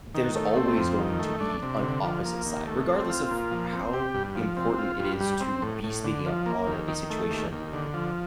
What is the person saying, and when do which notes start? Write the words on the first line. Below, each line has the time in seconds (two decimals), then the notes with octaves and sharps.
there's always going to be an opposite side, regardless of how important it is to be speaking up on a situation
0.15 D#3
0.35 A3
0.57 C4
0.77 F2
0.99 D#3
1.19 A3
1.41 D4
1.62 C3
1.83 D3
2.03 F3
2.25 A#3
2.46 D#2
2.67 A3
2.89 C4
3.10 F4
3.31 A#2
3.51 F3
3.73 C4
3.93 G4
4.14 G2
4.35 F3
4.57 C4
4.79 F4
5.00 G2
5.20 G3
5.41 C4
5.62 A2
5.84 A2
6.04 D3
6.26 F3
6.46 A#3
6.67 D#2
6.88 D#3
7.10 A3
7.30 D#2
7.52 D#2
7.73 D3
7.94 F3